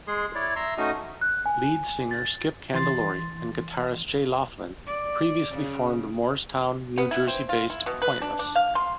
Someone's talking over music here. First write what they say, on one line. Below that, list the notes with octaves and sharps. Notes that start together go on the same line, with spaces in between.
Lead singer Skip Candelori and guitarist Jay Laughlin previously formed Moorestown, New Jersey-based Pointless.
G#3 G#4 C6
E4 C#5 D5
E5 A#5 C6
A3 C#4 D#4 F#4 D#5
F#6
G#5
A6
E3 C6 A6
D5
C#3
B3
E4
C4
F4
E4
B2
B4
D4
D4
F5
C6